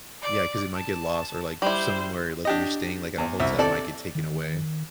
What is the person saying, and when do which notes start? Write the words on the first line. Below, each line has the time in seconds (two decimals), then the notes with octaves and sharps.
Yeah, 'cause it might get lost or, like, somewhere, like, if you're staying, like, at a hotel, it might get taken away.
0.22 D5
0.75 A5
1.62 G3 E4 C5
2.45 D4 G4 D#5
3.18 E2
3.40 C2 E5
3.59 C3 A4 D5 A5
4.15 D#3